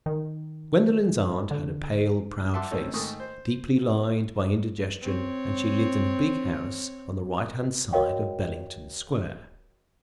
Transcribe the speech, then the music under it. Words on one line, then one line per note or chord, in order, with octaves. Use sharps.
Gwendolen's aunt had a pale, proud face, deeply lined by indigestion, and she lived in a big house on the right-hand side of Bellington Square.
D#3
D3
E5 F#5 A5 C6 D6
A3 A#3 C4 C#4 D#4 A4
G#2 D#3 A3 A#3 C#6 D#6
C5
C4 C#5
F#4 A#4 C#5 D#5 F5 G5